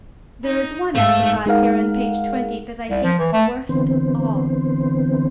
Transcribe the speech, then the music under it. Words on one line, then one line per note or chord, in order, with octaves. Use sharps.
There is one exercise here on page twenty that I hate worst of all.
D#4
G#2 A3 E5 F5
G#3 D#4 G#4 A#4 F5 F#5
C2
F3
E3
A3
D3 E3 B3 C4 C5